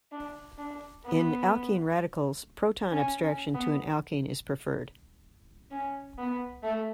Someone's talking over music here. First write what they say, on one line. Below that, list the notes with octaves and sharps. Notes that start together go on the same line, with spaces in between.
In alkene radicals proton abstraction to an alkyne is preferred.
D4
D4
B3
C#4
C#4
B3
C#4
B3
A3